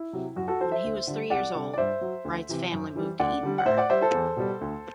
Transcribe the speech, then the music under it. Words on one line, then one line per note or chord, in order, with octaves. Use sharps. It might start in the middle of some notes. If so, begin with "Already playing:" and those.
When he was three years old, Wright's family moved to Edinburgh.
Already playing: E4
C3 F#3
F#2 F#4
F#4 A4
F#3 A4 C5
C5 E5
D2
D3 G3
C2 D5 F#5
C3 G3
D5
G2 C5 E5
F#3
D2
C3 E3
F#2
E3 G3
D2 D5 F#5
D3 G3
F#5
A2 C5 E5
D5 F#5
G3 C5 E5
A4 C5
E2
B2 G3
D2